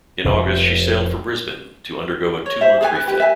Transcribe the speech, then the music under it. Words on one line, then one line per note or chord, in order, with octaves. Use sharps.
In August, she sailed for Brisbane to undergo a two-month refit.
F1 C3
C#5
C5 E5
G#4 A4 B4 G#5
B4
G4 B4
E5 G#5